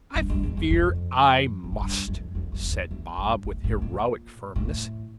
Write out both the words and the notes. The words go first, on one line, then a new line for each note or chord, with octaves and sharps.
'I fear I must,' said Bob, with heroic firmness.
G2
G2
E2
E2
F2
A#2
A2
G2
F2
F2
F2
E2
E2
G2
A2
A2
A#2
A2